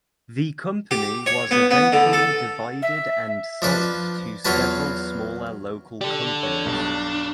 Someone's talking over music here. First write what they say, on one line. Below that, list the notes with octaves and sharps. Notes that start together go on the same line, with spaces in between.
The company was eventually divided and sold to several smaller local companies.
G4
C#5
B3
B3
D3
A4
E5
F3 D4 B4
E2 F#3 F4 B4 A5
D4 G4 A4
C#5
B1 G2 D4